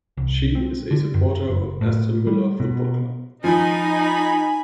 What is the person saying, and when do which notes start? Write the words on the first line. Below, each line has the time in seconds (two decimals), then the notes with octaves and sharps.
She is a supporter of Aston Villa football club.
0.17 C2
0.55 C4
0.91 D3
1.14 F#2
1.48 F#1
1.81 A2
2.27 G3
2.60 B2
3.44 F3 D#4 G#5 B5